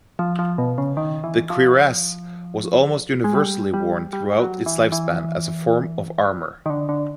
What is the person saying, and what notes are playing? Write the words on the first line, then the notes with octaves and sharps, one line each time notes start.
The cuirass was almost universally worn throughout its lifespan as a form of armour.
F3
F3
B2
C#3
D#3
E3
F3
G#3
G3
G3
G3
F#3
E3
E3
D#3
D3
D3